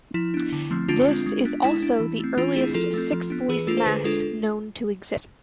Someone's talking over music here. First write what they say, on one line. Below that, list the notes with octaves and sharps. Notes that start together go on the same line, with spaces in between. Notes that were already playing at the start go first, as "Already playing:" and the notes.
This is also the earliest six-voice mass known to exist.
F3 E4
B3 D4
D3
F3 A3 C4
D3 D4 F4
G#3 C4
G#3
B3 D4
G#3 E4
D4
E3
A3 C4
E3 D4 F4
A3 C4 E4 G#4
F3 F4 A4
A3 C4
F3
B3 D4
E3 G#4 B4
A3 D4 F4 A4
A4 C5
D3 G#4 B4
G#3 D4 F4 A4